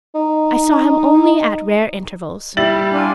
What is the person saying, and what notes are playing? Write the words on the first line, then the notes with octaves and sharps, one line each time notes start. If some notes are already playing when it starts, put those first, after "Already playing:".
I saw him only at rare intervals.
D#4
G3 E4 A6 F#7
D4 F4 G#5